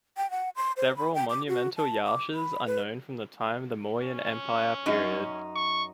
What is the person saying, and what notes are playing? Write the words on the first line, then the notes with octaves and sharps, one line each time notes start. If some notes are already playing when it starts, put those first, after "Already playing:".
Several monumental Yashas are known from the time the Mauryan Empire period.
G5
F#5
C6
C5
B5
G5
D6
F#4
A5
D6
B5
B4
C#4
F#2 D#4
C#6